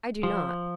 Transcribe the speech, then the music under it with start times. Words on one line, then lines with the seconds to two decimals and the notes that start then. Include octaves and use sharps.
"I do not."
0.23 F3